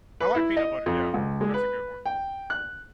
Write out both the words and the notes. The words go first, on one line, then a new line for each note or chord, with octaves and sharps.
I like peanut butter, yeah. That's a good one.
B4
E4
D#5
F2
C#2
G#3
B4
G5
F#6